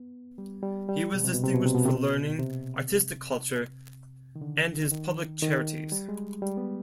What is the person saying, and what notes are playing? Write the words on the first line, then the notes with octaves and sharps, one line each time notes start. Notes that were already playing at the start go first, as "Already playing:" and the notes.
He was distinguished for learning, artistic culture and his public charities.
Already playing: B3
G3
G3
G3
B2
C3
B2
C3
B2
C3
B2
C3
B2
C3
D#3
D3
D#3
D#3
G3
G#3
G3
B3